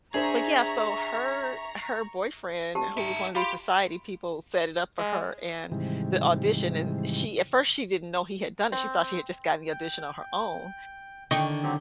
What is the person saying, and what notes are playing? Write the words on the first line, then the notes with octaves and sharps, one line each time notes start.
Like, yeah, so her her boyfriend who was one of these society people set it up for her and the audition, and she at first, she didn't know he had done it, she thought she had just gotten the audition on her own
D4 G#4 C5 E5 A#5 C#6
D3 G4 A5
D#4 E5
F4 G4 B5 C6
G#3
G#2 C3 D#3 E3 G3
C4
G5
G5
D3 D#3 D#5 G5 C#6
F#3 C4 G4